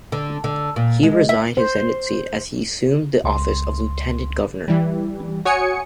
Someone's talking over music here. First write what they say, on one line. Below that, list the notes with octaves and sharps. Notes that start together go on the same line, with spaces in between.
He resigned his Senate seat as he assumed the office of lieutenant governor.
D3
D3
A#2
G#3
E5
C5
C#2 C6
E3 G3
F#4 C#5 G#5 D#6 C#7